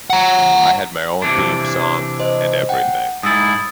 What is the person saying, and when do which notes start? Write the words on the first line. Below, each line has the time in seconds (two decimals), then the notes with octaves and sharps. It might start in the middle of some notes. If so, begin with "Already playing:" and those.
I had my own theme song and everything.
0.10 F#5 A#5
1.22 C3 E3 D4
2.20 C5 D#5
2.69 F#5 G5
3.23 G#2 E4 D#6 E6 A6